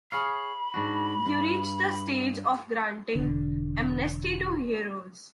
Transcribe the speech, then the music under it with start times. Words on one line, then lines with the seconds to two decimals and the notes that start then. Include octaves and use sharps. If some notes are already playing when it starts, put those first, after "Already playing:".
You reach the stage of granting amnesty to heroes!
0.12 G#4 C#5 F5 B5
0.74 G#2 D4 F#4
1.26 G2
3.15 E1 D3